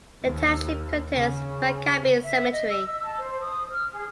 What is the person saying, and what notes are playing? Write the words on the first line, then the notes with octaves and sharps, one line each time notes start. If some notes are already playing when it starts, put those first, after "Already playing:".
The township contains MacCabee Cemetery.
D#2
C#3
E5
D#5
E6
A5
C5
D#6
F6
G#4